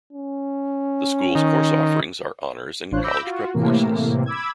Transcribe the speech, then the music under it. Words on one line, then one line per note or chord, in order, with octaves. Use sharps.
The school's course offerings are honors and college-prep courses.
C#4
D#3
A1 D4 F4 C5 C#5 F#6
B5 D6 E6 G6 A#6
F4 F#4
A2 C3 E3 A#3
B5 D6 E6 G#6